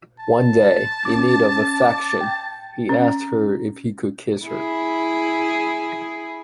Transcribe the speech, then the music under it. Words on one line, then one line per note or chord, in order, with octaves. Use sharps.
One day, in need of affection, he asked her if he could kiss her.
A5
C#4 D6 A6
D6
G5 A6
C#4
E4 G#4